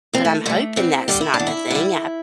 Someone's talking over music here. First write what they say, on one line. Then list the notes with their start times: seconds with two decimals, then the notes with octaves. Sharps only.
but I'm hoping that's not the thing, I
0.13 E2 C4
0.25 A3
0.46 D3 G3 A3
0.76 E2 C4
1.08 D3 G3 G4
1.21 E4
1.34 D4
1.39 E2
1.47 E4
1.70 D3 G3